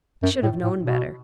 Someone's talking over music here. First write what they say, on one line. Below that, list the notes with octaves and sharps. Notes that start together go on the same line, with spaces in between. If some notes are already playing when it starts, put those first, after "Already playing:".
I should have known better.
F#2
A2
A2
B2